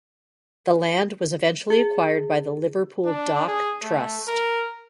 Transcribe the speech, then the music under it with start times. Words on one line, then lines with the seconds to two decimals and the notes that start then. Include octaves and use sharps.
The land was eventually acquired by the Liverpool Dock Trust.
1.70 G#4
3.05 D4
3.48 G#4
3.83 A3
4.27 A#4